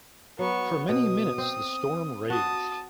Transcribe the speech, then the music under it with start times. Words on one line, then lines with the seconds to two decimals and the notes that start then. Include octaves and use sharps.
For many minutes the storm raged.
0.39 F#3 B3 C#6
0.89 B2 D#6
1.38 C4
2.30 F#4 A5 D#6